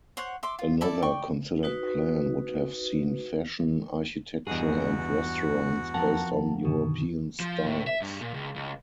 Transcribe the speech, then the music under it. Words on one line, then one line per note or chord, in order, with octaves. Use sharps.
Another considered plan would have seen fashion, architecture, and restaurants based on European styles.
C5 C#5 F#5 C#6
E5 C6 D6
F4
E4 A4 D5
D5 G5 C#6
D#4 F#4 B4
E2 G2 F#4 G#4 D#5
F2 A#4 F#5 A5
F#2 B2 D3 D#3
F3
A2
E5
G2
A#2
C#2
C#2